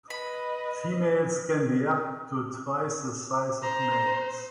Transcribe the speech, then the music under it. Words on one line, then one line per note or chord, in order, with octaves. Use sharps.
Females can be up to twice the size of males.
B4 D#5 B5
C5 A#5